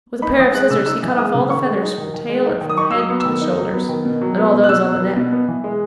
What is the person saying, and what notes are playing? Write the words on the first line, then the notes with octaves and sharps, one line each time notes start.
With a pair of scissors he cut off all the feathers from the tail and from the head to the shoulders, and all those on the neck.
D#4 B5
E3 D#6
G#3 F#6
C#3 E6
D#4 E6
E3
G#3 D#6
C#3
D#3 C#6
G#3
D#4
D#3
D#3
G#3
D#4
D#3
D#6
D#4 C#6
E6
F#3 D#6
B3
E6
D#3
D#4
F#3
B3
D#3
B2
F#3
B3
B2
F#6
B2 E6
F#3
B3
B2
B3
E3
G#3